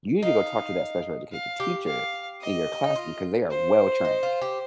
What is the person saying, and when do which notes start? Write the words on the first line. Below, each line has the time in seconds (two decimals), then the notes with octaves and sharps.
you need to go talk to that special education teacher in your classroom 'cause they are well trained.
0.22 D#4 F5
1.32 F5
1.60 G4
1.87 F5
2.41 D#5
2.84 D#4
2.96 F4
3.51 C5
4.05 D#4
4.23 F4
4.41 G4